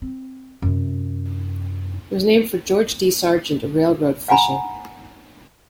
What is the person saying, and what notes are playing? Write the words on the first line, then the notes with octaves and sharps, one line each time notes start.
It was named for George D. Sargent, a railroad official.
C4
F#2 C3
F5 F#5 G#5 A#5 B5